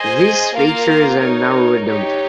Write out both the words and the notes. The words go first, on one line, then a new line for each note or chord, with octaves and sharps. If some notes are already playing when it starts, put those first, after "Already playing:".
These features are now redundant.
Already playing: G#4 C5 D#5 G#5
A#3 F4 A#4 F5
D#4 A#4 C#5
D#4 G4 C#5